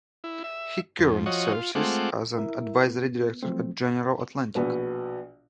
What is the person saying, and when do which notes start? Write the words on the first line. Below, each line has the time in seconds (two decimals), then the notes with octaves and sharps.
He current serves as an Advisory Director at General Atlantic.
0.24 E4
0.44 E5
0.99 F2
1.26 F3 F#4 C#5 D#5
1.53 F4
1.75 G#3 A3 C4 F4 F#5 D6
2.38 E4 A#4 E5
2.87 B3
3.43 F3 F#3 A3 C4
4.55 A#1 B2 B3